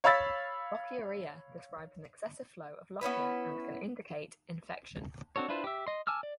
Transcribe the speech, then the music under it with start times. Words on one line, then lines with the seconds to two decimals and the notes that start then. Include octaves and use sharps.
Lochiorrhea describes an excessive flow of lochia and can indicate infection.
0.04 C#5 F5 B5 E6 A6 B6
3.01 B3 C#4 E4 B4
5.36 C4 D4 F#4 A4 C#5
5.48 D4 E4 F4 B4 C5
5.64 G4 E5
5.87 D#5 C6
6.07 G#5 A5 D6 E6 F6
6.23 D5